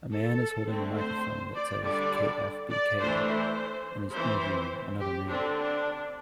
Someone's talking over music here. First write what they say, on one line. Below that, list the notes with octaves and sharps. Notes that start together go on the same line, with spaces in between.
A man is holding a microphone that says KFBK and is interviewing another man.
A4
D3 A3 C4
C5
D5
D3 G3 D4 D5
D5
E3 A3 D4 C5
C5
E3 C4 C5
G4
D3 C4 D4
D4